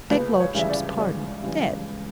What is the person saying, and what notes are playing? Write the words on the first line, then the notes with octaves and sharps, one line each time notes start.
"Begludship's pardon--dead."
C#2 B4
C#5
C#3 E3 G3 E5
D5
C#2 D5
C#3 E3 G3